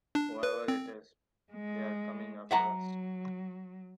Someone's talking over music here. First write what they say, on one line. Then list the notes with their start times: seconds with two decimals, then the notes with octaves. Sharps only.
Whoever it is, they are coming after us.
0.15 D4
0.43 B4
0.68 C4
1.51 G#3
2.51 F#3 E5 F#5 A#5